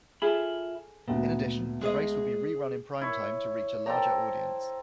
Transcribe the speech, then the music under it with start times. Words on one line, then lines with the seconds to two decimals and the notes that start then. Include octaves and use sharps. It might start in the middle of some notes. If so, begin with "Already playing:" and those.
In addition, the race would be rerun in primetime to reach a larger audience.
0.22 F4 G#4 A4 E5 B5
1.08 D2 A#2 B3
1.81 G#3 G#4 C5 D#5
3.01 E4 C#5
3.86 A4 C5 G5 A#5